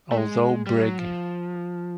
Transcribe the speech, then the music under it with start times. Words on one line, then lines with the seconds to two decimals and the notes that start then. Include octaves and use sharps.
Although Brig.
0.12 A3
0.17 G#3
0.67 G3
0.82 F#3
0.98 F3